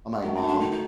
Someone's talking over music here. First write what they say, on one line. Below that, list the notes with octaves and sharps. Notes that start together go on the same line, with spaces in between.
I'm, like, "Mom,
D#3 F#3 G#3 A3
C4
D#4
D4
D#4
D#3 D#4